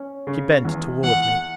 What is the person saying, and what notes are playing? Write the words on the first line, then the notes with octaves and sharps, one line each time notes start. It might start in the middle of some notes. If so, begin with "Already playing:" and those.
She bent toward me.
Already playing: C#4
C#3
E2
E2 F#5